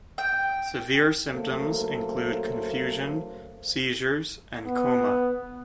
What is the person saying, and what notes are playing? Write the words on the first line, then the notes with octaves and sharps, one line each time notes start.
Severe symptoms include confusion, seizures, and coma.
G5
C#3 F#3 A3 A#3 A4 C5
B3